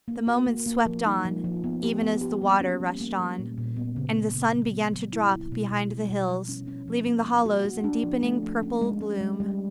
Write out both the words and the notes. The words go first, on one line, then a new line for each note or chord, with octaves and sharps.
The moments swept on, even as the water rushed on, and the sun began to drop behind the hills, leaving the hollows in deepening purple gloom.
A#3
F#4
A#3
A#3
F3
D#4
F3
F3
B3
G4
B3
G4
A#3
C#4
G3
A#3
G3
A#2
A#2
B3
C#3
A#3
C#3
F#3
B3
F#3
E4
F#3
B2
B2
G3
B2
F3
C#4
C#4
F3
A#3
A#3
F#4
F#4
D4
F3
A3
F3
C#4
G#3
C#4
G#3
G3